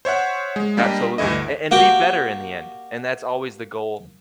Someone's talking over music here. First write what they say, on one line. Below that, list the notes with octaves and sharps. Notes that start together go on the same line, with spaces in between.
Absolutely, a and be better in the end, and that's always the goal,
C5 C#5 E5 F#5
G#3
G3 A#3 D4 G4 D#5
D2 G2 E3 E4 D#5
A#3 F#4 G4 G5